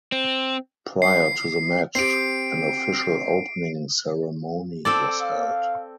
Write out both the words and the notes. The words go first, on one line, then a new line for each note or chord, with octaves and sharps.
Prior to the match an official opening ceremony was held.
C4
C7
C4 G4 C7 D7
C4 A4 D5
F5